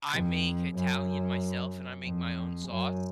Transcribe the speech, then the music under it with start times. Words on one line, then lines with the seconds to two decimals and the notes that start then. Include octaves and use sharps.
I make Italian myself, and I make my own sauce.
0.13 F2
0.76 F#2
2.05 F2
2.68 F#2